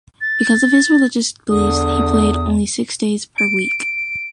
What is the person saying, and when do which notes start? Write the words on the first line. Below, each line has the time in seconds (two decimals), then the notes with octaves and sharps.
Because of his religious beliefs, he played only six days per week.
0.21 A6
1.50 E2 D3 D#6
3.38 D7